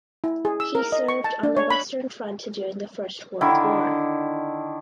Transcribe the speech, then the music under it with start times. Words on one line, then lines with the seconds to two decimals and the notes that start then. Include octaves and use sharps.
He served on the Western Front during the First World War.
0.24 E4
0.45 G#4
0.60 E6
0.75 A#4
0.92 D#5
1.09 C#6
1.24 A5
1.43 D4
1.57 C#5
1.70 B5
3.41 D3 D#3 E4